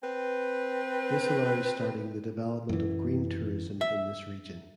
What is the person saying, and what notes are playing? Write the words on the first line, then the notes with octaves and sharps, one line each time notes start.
This allowed starting the development of green tourism in this region.
C4 B4
F#2 E3
E5